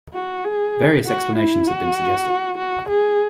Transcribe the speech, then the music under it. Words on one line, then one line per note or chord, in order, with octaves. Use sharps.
Various explanations have been suggested.
F#4
G#4
F#4
E4
F#4
F#4
G#4